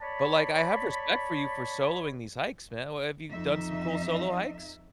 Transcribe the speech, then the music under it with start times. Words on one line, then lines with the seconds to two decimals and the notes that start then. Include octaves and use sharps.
but, like, I have respect for you for soloing these hikes, man, uh, have you done some cool solo hikes?
0.01 C#5 D5 A5 B5
3.31 F2 D#4 E5